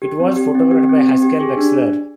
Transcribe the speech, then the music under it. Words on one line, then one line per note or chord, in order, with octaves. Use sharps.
It was photographed by Haskell Wexler.
G4
C4
G4
C4
G4
C4
G4
G4
G#4
D4